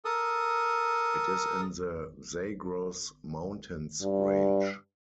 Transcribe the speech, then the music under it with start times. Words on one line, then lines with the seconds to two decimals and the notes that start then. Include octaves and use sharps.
It is in the Zagros Mountains range.
0.05 A4 A#4 D#6
4.01 G2